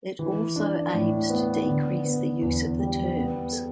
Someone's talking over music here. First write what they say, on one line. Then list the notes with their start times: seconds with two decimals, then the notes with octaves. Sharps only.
It also aims to decrease the use of the terms.
0.19 E3
0.56 D4
0.93 A2
1.30 B3
1.67 D3
2.05 B3
2.42 E2
2.79 G3
3.15 B3
3.53 A4